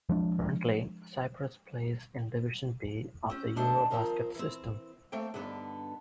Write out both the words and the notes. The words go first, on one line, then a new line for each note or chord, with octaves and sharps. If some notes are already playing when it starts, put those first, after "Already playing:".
Currently, Cyprus plays in Division B of the EuroBasket system.
F3 G#3 D4
C4 C#4
D#2 A3 D4 D#4 C5 A5
D#3 F3 A3 C4 A#4 C5
E3 C4
A3 A#3 C4 A4 G5
G2 D3 B3 D4 D#4